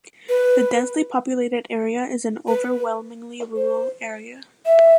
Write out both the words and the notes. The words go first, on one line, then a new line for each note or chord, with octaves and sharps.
The densely populated area is an overwhelmingly rural area.
B4
B4
C5
E5